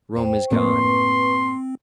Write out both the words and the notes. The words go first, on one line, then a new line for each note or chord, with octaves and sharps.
Rome is gone.
E2 C5 G5
F#1 A2 A#3 C4 B4 C6 C#6